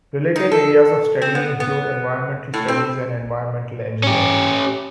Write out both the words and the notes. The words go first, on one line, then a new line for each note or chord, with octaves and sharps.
Related areas of study include environmental studies and environmental engineering.
D#4
A4
C4
B3
B3
A2
C4
C#4 G4